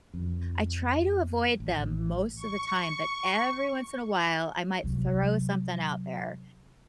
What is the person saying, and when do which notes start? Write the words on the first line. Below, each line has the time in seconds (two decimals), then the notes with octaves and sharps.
I try to avoid them most of the time, but every once in a while, I might throw something out there
0.14 F2
1.60 A1
2.36 C#6
4.83 C3 F#3